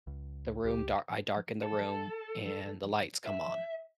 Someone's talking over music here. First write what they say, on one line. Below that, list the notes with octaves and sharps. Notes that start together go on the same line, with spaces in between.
the room dark I darken the room and the lights come on.
C#2
C#2 G4
A4
E5